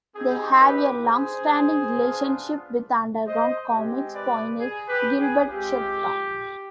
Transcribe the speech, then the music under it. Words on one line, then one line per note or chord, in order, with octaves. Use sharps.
They have a long-standing relationship with underground comix pioneer Gilbert Shelton.
C4 D#4 G4 G#4
G4 B4
G#4 C5
B3 D4 F4
C5 D#5
G#3 C4 G4
B4 D5
G#4
G4 B4
G#4
G#3 C4 F4 G4